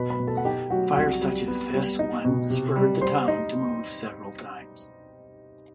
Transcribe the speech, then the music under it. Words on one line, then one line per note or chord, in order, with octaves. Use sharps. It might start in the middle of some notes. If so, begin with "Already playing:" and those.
Fires such as this one spurred the town to move several times.
Already playing: B2 B4 B5
B4 B5
B2
A4 A5
F#5
D#4 G4 G5
F#3 F#4 F#5
C2 F#4 F#5
G3
B3
G3
D#4
B2
C3
G3
G3 C5 C6
D#4